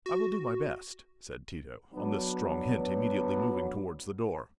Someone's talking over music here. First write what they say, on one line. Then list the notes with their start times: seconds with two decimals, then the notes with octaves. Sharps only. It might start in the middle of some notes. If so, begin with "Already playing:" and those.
"I will do my best," said Tito--on this strong hint, immediately moving towards the door.
0.06 F#4
1.94 F#3 B3 D4